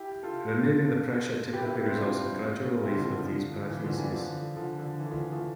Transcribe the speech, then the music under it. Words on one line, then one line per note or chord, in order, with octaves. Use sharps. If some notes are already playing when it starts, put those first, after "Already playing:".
Removing the pressure typically results in gradual relief of these paresthesias.
Already playing: E4 G4
F4 A4
G4 B4
E4 G4
E4 G4
C4 E4
D4 F4
C4 E4
D3 F3
D3 F3
D3 F3
E3
D3 F3
E3 G3
D3 F3
D3 F3
D3
E3
D3 F3
F3 A3